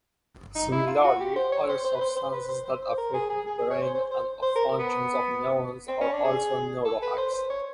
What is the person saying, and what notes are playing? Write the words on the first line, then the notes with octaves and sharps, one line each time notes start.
Similarly, other substances that affect the brain and functions of neurons are also neurohacks.
D#4
E4
F4
F#4
G4
C5
C#5
C5
C5
B4
C5
C5
B4
C5
C5
C5
A#4
G#4
G#4
G#4
G#4
C#5
C5
C5
C5
C5
A#4
B3
C4
C#4
D4
G#4
A4
B4
C5
C5
C#5